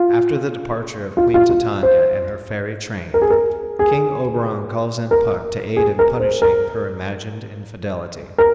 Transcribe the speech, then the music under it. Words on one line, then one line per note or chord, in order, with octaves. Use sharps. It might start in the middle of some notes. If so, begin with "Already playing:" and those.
After the departure of Queen Titania and her fairy train, King Oberon calls in Puck to aid in punishing her imagined infidelity.
Already playing: F4
F4
F4
F4
C5
A#4
G#4
A#4
G#4
A#4
G#4
A#4
C5
A#4
A#4